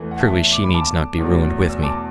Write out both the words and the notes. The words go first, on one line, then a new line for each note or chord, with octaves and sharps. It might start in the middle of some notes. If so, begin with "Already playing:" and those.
Surely she need not be ruined with me?
Already playing: E2 E3 A3
F#5
E5 A5
D6
B5
A5 D6
E2 B2 F#3 A3
E6
A5 D6